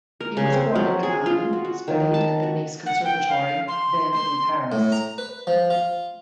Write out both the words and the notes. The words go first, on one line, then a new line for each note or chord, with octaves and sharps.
He was born in Cannes, studied at the Nice Conservatory, then in Paris.
A#4
C#3
C4
F#3
G#4
F4
F#4
F#4
D#3
A5
F#4
F#5
G5
F5
C6
C6
A2
A#5
B4
F3
F4